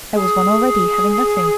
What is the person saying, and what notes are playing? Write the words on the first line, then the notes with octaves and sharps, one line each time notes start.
I was one already, having nothing.
G#4